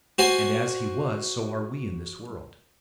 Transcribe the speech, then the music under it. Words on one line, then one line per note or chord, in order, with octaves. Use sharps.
And, as He was, so are we in this world.
F#4 C5 G#5